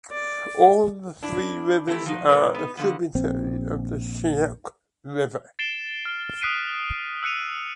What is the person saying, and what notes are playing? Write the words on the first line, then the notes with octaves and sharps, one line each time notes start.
All the three rivers are tributary of the Shyok River.
D5
D4 E4
E3 F#3 A3 C4 E4 G4
F3 F#3 D#4
A#2 G3 G#3 A#4 B4
B3 D#4
D3 F3 B3
A#1 C4
A6 C7 D7 E7 G7
F6
D#6 F#6 B6 C7 D7 D#7
E6 F#6 C#7 D#7 F7